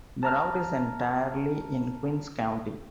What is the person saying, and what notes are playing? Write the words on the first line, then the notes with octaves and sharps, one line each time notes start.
The route is entirely in Queens County.
A5 A#5 F6